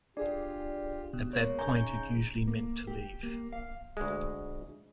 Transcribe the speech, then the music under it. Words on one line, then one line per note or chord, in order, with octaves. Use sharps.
At that point, it usually meant to leave.
D4 F4 G4 G#4 D5
B2
G#3 A#3 C#5
C#3 D#4 G#5 A#5 C#6 G6
A#3
G4
A#3
F5
D2 G#3